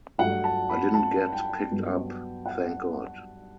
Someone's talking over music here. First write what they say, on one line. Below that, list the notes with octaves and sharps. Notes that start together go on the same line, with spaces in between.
It didn't get picked up, thank God.
G2 F#3 A3 F#5
A5
B5
A5
G5
G2 F#3 B3
F#5